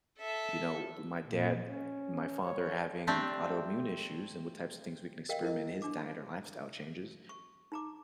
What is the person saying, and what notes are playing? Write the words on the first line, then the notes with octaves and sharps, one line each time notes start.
you know, my dad, my father, having autoimmune issues and what types of things we experiment in his diet or lifestyle changes
A4 E5
A#2
C#4
C#5
A3 C4 D4 G4
A#4 D#5 F5 G5
E4 A#4 D#5
D4 D6
C#6
D#4 A#5 D6